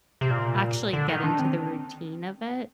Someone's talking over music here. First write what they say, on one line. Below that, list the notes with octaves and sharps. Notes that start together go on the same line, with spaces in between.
actually get into the routine of it,
C3
A#2
D3
D#3
D4
C4